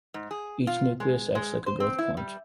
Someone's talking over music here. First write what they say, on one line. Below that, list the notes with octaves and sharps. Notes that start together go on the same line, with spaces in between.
Each nucleus acts like a growth point.
G#2
G#4
F4
G#3
G#3
C5
C4
E4
G3